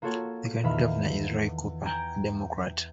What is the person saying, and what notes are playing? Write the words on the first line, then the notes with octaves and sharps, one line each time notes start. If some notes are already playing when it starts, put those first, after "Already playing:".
The current Governor is Roy Cooper, a Democrat.
A#3 F4 F#4 A4 C#5
E2 D#3 E5 F5 B5
G5 G#5 A#5 G6 A#6 D7